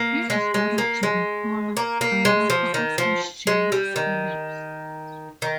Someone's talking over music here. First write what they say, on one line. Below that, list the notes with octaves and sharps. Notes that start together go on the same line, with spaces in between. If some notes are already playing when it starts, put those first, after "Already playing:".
He is married to Nicola, Director of H J Phillips.
Already playing: A#3
G#3
G#3
A#3
G#3
A#3
A#3
G#3
F3
D#3
F3
G#3
G3
D#3
D#3